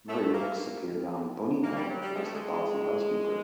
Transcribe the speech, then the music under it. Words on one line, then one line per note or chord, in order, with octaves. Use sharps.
Mary Wickes appeared on "Bonino" as the bossy housekeeper.
A3
A#3
A#3
G3
F#3
G3
G#3
A3
G#3